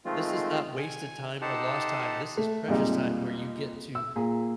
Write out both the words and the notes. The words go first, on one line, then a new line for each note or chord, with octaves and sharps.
this is not wasted time or lost time, this is precious time where you get to
D#3 F3 G#3 A3 C4 F4
G#5
D#4 G4 A4 C5 F#5 A5
A3
F2 A#2 G3 G#3 D#4
E6
A#2 G#4